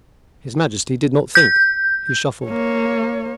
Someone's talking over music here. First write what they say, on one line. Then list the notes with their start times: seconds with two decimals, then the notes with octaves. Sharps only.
His Majesty did not think; he shuffled.
1.35 G6
2.46 A#3 C#5